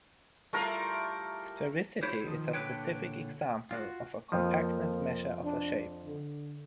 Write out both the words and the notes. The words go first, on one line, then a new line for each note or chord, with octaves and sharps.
Sphericity is a specific example of a compactness measure of a shape.
G3 A3 E4 F4 A#4 A#5
E4 F#4 C5 C#5
D#3 F3
A#2 D3 D4 B4 C#5 G5
F4 F#4
F2 F3 A#3
D4
D3